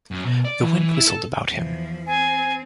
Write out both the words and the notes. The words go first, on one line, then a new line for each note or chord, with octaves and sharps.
The wind whistled about him.
F#2
B2
D5
E3
E3
E4
A4
E2 F3
C4 G#5